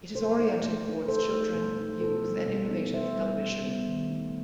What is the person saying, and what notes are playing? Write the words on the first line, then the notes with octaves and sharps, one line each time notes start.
It is oriented towards children, youth and innovative television.
B2 A4 C5
A3 D#4
B2
A3 D#4
B2 A4 C5
A3 D#4
B2
A3 D#4
B2 A4 C5
G3 B3 D#4
B2
G3 B3 D#4
B2 C5 E5
G3 B3 D#4
B2
G3 B3 D#4
D#3
A3 D#4